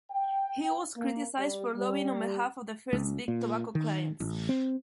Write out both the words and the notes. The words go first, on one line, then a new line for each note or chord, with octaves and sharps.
He was criticized for lobbying on behalf of the firm's Big Tobacco clients.
G5
A#3
G3
G3
C#2
A#2
D#3
A1
C4